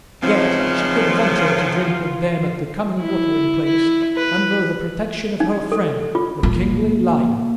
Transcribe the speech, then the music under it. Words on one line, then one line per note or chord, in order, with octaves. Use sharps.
Yet she could venture to drink with them at the common watering place under the protection of her friend, the kingly lion.
E2 C#3 F3 C4 D#4
F4
E4
E4
B4
D#4
A4
F4
A#2 A#3